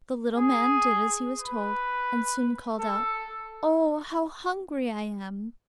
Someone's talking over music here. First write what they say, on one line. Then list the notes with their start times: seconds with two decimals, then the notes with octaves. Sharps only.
The little man did as he was told, and soon called out: 'Oh! how hungry I am!'
0.36 G#4
1.41 B4
2.80 A4